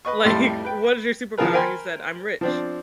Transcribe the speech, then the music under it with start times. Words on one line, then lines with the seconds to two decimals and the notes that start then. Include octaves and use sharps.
like, "What is your superpower?" he said, "I'm rich."
0.05 B4 D#5 C#6
0.25 F2 A2 G3 A3 B5 C6
0.65 B4 G5
1.38 E3 F3 F4 G#4 A#4 B4
1.53 A#4 C5 G5 G#5 B5 C6
2.41 F3 C4 D4